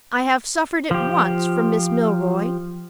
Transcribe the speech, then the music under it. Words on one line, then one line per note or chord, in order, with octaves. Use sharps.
I have suffered it once from Miss Milroy.
F3 G4